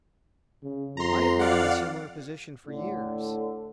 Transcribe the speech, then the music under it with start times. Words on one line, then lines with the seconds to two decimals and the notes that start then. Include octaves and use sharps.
I have been in a similar position for years.
0.63 C#3
0.97 F2 A#5 C6
1.39 D5 F5 F#5
2.67 A2 D3